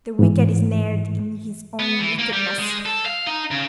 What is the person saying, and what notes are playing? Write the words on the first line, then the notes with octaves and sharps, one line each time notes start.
The wicked is snared in his own wickedness.'
G#2 E3
B3
E3
A#3
G3
G#3
A4
F5
D#4
C#3